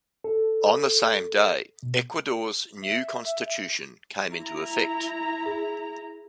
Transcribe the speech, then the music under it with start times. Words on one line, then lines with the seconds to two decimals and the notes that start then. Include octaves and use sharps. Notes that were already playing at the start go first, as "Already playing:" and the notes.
On the same day, Ecuador's new constitution came into effect.
0.24 A4
1.83 B2
2.83 E5
4.29 E4 A#5
5.46 G#4